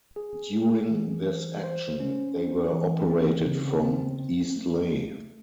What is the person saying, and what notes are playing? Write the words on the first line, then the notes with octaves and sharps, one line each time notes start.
During this action, they were operated from Eastleigh.
G#4
G#4
E3
C5
C5
C#4
C5
E3
C4
C#3
C4
C4
A3
A3